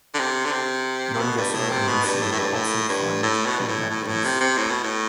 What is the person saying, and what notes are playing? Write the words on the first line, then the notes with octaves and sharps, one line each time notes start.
Nungesser and Lucille also find true happiness.
D3
C3
D3
C3
C3
B2
G2
A2
C3
B2
G2
A2
A2
G2
A2
G2
A2
B2
G2
A2
A2
G2
A2
C3
C3
A2
B2
A2